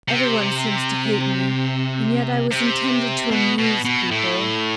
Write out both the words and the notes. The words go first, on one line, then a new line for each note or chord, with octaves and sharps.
"Everyone seems to hate me, and yet I was intended to amuse people."
C3
C3
B2
B2
B2
A2